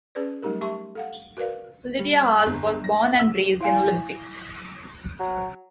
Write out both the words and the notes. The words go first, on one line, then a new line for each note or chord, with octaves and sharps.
Lydia Haase was born and raised in Leipzig.
C#4 G#4 B4 D5
F#3 G3 A3 D#4 G4 A#4
G4 E5 A5 C6 C#6
A4 F5 F#5
F#4 A#4 B4 D5 F5
G3
G1
A#6
E5
E6
E4 F5 G#5
F#3